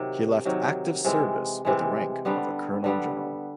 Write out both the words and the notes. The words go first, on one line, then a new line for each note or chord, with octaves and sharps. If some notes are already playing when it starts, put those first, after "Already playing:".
He left active service with the rank of a Colonel General.
Already playing: C3 D#3 F#3
C3 D#3 F#3
C3 E3 G#3
C3 E3 G#3
D3 G3 B3
D3 G3 B3